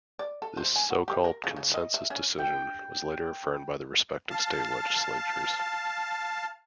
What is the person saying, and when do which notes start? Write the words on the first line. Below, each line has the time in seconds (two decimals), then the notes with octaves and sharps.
This so-called "consensus decision" was later affirmed by the respective state legislatures.
0.19 D5
0.42 A4
0.57 C5
0.76 G#5
0.90 F#4
1.08 G4
1.24 A#4
1.44 C#3
1.56 C#3
1.74 D#5
1.94 E5
2.10 C#4
2.38 G5
4.30 F5 A5